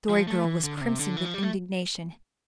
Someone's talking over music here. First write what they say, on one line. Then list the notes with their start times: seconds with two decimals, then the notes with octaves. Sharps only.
The Story Girl was crimson with indignation.
0.09 F3
0.28 A3
0.45 E3
0.63 D3
0.77 D3
0.81 C3
0.99 D3
1.17 E3
1.25 F3
1.34 G3
1.43 A3